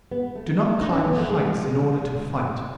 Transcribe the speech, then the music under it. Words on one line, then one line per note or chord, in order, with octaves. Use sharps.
Do not climb heights in order to fight.
B3
A3
D#4
C#4
B3
A3
G#3
A3
G#3
G#3